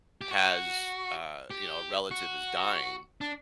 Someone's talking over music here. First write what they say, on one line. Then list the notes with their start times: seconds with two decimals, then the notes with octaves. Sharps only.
has, uh, you know, a relative is dying,
0.21 G4
0.31 F#4
1.50 G4
2.11 F#4
3.21 D4